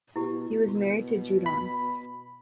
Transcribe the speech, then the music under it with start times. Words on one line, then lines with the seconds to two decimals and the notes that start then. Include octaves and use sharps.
He was married to Judon.
0.16 B2 E4 G4
0.51 B2
1.46 B5